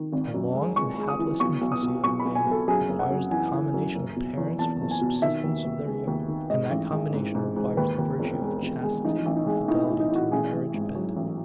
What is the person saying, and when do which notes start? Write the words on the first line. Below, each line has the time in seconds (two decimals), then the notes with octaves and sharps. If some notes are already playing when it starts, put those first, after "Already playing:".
The long and helpless infancy of man requires the combination of parents for the subsistence of their young; and that combination requires the virtue of chastity or fidelity to the marriage bed.
Already playing: D#3
0.13 G#1
0.34 F#2
0.55 G#3
0.76 G#3 C#6
0.98 G#3
1.08 D#6
1.19 E3
1.40 B1 C#6
1.61 B1
1.72 D#6
1.82 B2
2.04 B1 C#6
2.19 B5
2.25 B1
2.35 G#5
2.46 B1
2.51 A4
2.68 F#2 G#4
2.89 F#1
2.99 F#5
3.10 F#2
3.31 E3 G#5
3.52 E3
3.74 F#2
3.95 F#1
4.16 B2
4.37 E2
4.59 E2 A5
4.80 F#1
4.91 G#5
5.01 B2
5.22 D#3 E5
5.44 D#2
5.65 D#2
5.86 G#3
6.07 D#2
6.28 D#3
6.50 G#2 D#5
6.71 A1
6.92 G#3
7.14 G#2
7.35 G#2
7.56 G#2
7.77 D#2 B4
7.98 D#2
8.19 E1
8.41 G#3
8.61 E1
8.83 G#3
9.04 A1 D#4
9.26 A1
9.36 D#4
9.47 G#3
9.68 A2 D#4
9.84 E4
9.90 A2
10.00 D#4
10.10 A2 F#4
10.32 A1 G#4
10.53 A1
10.74 G#2
10.95 F#3
11.17 A1